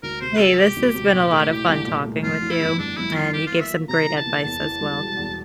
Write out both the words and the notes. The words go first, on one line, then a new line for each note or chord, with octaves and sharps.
hey, this has been a lotta fun talking with you, and you gave some great advice as well.
D2 A#4
C3 C5
G3 A4
E1 G4
D2
C3
A#2
A3
E4
C2
A#2
A3
F2 F4
E3
E4
G1
G1 D4
F2 E4
E3 F4
E3 G4
F4
A#3
E5
F4
C3 A#5
E3
A5
A#3
E2 A5
E3
G3
E1
E2